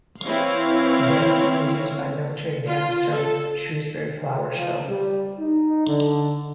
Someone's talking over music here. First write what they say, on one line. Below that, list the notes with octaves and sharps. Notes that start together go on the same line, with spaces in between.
The bandstand is used by military bands during Shrewsbury Flower Show.
E3 C4 E4 C#5 F5
F4
A4
F3
G3
D#4
D3